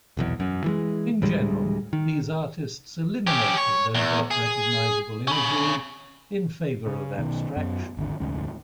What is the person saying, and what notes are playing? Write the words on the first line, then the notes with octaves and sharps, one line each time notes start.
In general these artists eliminated overt recognizable imagery in favor of abstraction.
F1 B1 E2
F#2
E3 G3 G#3
D2 A2 G3 G#3
D#3
C#4 G4
C#5
E2
G#4
C#4 B5
C#3
B1 B2 D#3
F#2 B3
G#1 D#2 D3
F1 D2 G#2 C#4